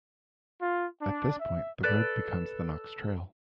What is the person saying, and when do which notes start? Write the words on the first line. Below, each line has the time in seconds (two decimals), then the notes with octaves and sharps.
At this point the road becomes the Knox Trail.
0.61 F4
1.01 D4
1.40 E5
1.83 A4 B4 D5